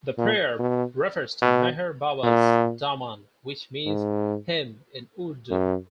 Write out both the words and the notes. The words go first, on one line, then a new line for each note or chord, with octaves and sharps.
The prayer refers to Meher Baba's "daaman", which means "hem" in Urdu.
A#2
B2
B2
A#2
G#2
F#2